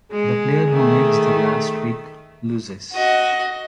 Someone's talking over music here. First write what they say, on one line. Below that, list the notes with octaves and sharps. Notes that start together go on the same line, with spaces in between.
The player who makes the last trick loses.
G#3 G#4
D#3 A3
F#4 D#5